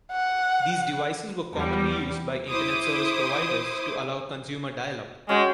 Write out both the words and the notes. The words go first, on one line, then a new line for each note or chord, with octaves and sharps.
These devices were commonly used by Internet service providers to allow consumer dial-up.
F#5
E2 G3
E4 C5 D6 D#6
G#3 C#4 F#4 G5